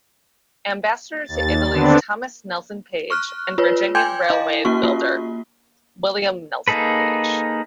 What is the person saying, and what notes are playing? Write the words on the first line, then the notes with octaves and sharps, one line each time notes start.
Ambassador to Italy Thomas Nelson Page, and Virginian Railway builder William Nelson Page.
D#2 A6
D3 B3 C4 D4
C#6 F6 F#6
F4 B4 C#5
G5 G#5 C6 D6 G6 G#6
E4 D#5 F5
A#3 C#4 F#4 C#6
A#3 F4
A#3 D#4 G#4 A4 B4